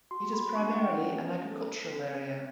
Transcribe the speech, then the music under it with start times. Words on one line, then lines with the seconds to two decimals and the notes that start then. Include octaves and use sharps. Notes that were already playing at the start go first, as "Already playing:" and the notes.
It is primarily an agricultural area.
0.11 F#4 C6
0.33 B5
0.55 D4 C#6
0.74 F#5
0.78 G5
1.00 C#4
1.46 A4
1.91 C4
2.36 C4